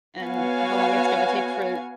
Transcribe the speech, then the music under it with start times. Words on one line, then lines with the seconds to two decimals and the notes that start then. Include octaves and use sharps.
and how long it's gonna take for
0.22 B3 F#4 C#5 F5 G#5